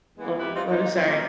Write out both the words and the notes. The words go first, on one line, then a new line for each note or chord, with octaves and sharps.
oh, I'm sorry,
E3 G#3 A#3 B3
F2 G#2 E4 G4 B4
G3 C4 D#4 F4
A#2 D#4
F2
G2 A#2 G3 C#4